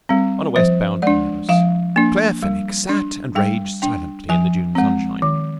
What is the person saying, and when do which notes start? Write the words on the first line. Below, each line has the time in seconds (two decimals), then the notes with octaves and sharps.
On a west-bound omnibus Claire Fenwick sat and raged silently in the June sunshine.
0.09 G3 C4
0.56 F3 C5
1.02 G#3 D4 D5
1.49 F3 F5
1.96 A#3 D4
2.42 G3
2.89 D4
3.36 G3 G5
3.82 D4 G5
4.29 F3 G#5
4.75 G#3 C4
5.22 D#3